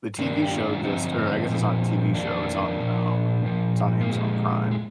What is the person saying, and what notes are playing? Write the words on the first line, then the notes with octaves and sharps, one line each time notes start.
the TV show just or I guess it's not a TV show, it's on, um it's on Amazon Prime.
G2 D#3 A#3 D4
G4
D4 F4
D4
G2 D3 F3 C4 D#4
A#2 F3
F2 D#3 A#3 D4
A#2 F3
A#2 F3
A#3
A#2 F3 G#3
G#3